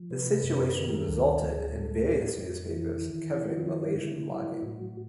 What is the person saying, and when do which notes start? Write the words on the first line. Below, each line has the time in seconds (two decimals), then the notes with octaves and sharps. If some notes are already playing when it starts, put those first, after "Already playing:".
The situation resulted in various newspapers covering Malaysian blogging.
Already playing: F3
0.11 C3 B4
0.42 F#2 B4
0.75 D#3 A#4
0.88 G4
0.97 G#4
1.08 D2 A4
1.40 D2
1.51 G#4
1.72 A2 A4
2.04 A2 G4
2.14 G#4
2.24 G4
2.37 F2
2.69 E3 E4
3.01 D#3
3.34 D#3
3.43 G4
3.52 F#4
3.59 F4
3.66 F3 E4
3.98 D3 E4
4.30 F#3 E4
4.63 A2 F#4